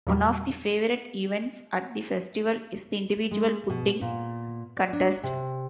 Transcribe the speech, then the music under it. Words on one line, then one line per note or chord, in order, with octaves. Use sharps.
One of the favorite events at the festival is the Individual Pudding Contest.
E2 A#2 F#3 G3
G#3
B2
A#2
D5
D4
C3